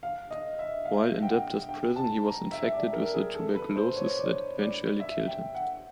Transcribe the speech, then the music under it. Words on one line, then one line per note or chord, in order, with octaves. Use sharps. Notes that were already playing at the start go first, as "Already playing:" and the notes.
While in debtor's prison he was infected with the tuberculosis that eventually killed him.
F5
D#5
E5
F5
G5
F#5
G5
A5
A#5
E5
D5
A#4
G#4
A4
B4
C5
C#5
D5
D5
E5
G5
F#5